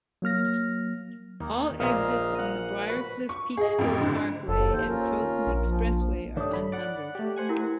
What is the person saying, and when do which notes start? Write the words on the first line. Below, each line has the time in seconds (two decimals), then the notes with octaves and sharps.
All exits on the Briarcliff-Peeksill Parkway and Croton Expressway are unnumbered.
0.22 F#3 A#3 F6 A#6
1.40 D#2 A#3
1.80 A#1 A#2 D#5 F5
2.39 F#5
2.90 F#4 B4
3.29 C#6
3.57 G#4 D#5
3.78 A1 F2
4.00 F#1 D3
4.48 F#1 D#2 A4
4.73 D#2 C5
4.87 C#4 F4 A#4
5.47 A#1
5.65 F3
6.37 G2 D#3 A3 D4 C#5 D#6
6.53 B5
6.72 D5 F#5 F#6
7.15 A3 G4
7.36 C5 F#5 G#5
7.49 E4 F#4 A#4